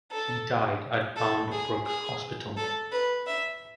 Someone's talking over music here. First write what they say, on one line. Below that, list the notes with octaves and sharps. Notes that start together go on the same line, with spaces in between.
He died at Bound Brook Hospital.
A4
A4
G#4
G#4
A4
B4
E5